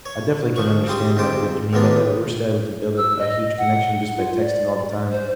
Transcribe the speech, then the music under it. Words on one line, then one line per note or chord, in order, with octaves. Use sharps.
I definitely can understand, like, what you mean by that, we were still able to build a f a huge connection just by texting all the time.
C#5
D2 F3 C#6
C#3 G3 C6 D#6
D2 G#2 C3 F4 C5 D6
D#2 G#2 B2 A#3 B3 D4
E6
D#5
F#5
F4
D5
C5